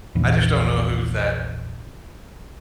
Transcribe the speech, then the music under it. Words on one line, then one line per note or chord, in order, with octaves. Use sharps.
I just don't know who's that,
A#1 E2